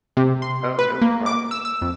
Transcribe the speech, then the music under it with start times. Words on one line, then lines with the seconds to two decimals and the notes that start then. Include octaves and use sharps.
Oh, no problem.
0.17 C3
0.42 C6
0.79 B4
1.01 A#3
1.26 D6
1.51 E6
1.65 E6
1.82 F2